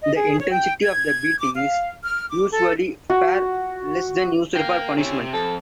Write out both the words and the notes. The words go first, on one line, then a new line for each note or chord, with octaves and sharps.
The intensity of the beating is usually far less than used for punishment.
D#5
G#4
C#5
G5
G#6
D6
F5
F6
D6
A4
F#4
A#4 F5 G5
C3 C#4 E4
C3
F2 A4